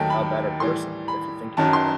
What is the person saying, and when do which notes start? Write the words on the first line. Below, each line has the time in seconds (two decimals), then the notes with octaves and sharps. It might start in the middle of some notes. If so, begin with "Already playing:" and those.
a better person, if you think about it.
Already playing: D#2 D#3 F#3 A3 G5 A5
0.10 B5
0.60 A2 E3 G3 C6
1.08 B5
1.57 F#2 D#3 F#3 A5
1.73 C6